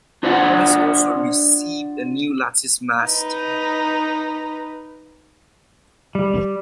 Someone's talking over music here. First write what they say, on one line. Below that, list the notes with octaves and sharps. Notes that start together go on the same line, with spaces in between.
The class also received a new lattice mast.
D4 F4 C5 D5 F#5 G#5
D#4 B4
G3